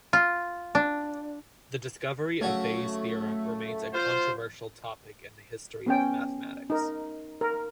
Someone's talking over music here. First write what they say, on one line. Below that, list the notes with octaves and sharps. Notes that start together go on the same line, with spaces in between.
The discovery of Bayes' theorem remains a controversial topic in the history of mathematics.
F4
D4
C#3 F#3 A3 F#4
F4 C5
B3 C#4 G5
D#4 A#4
A#4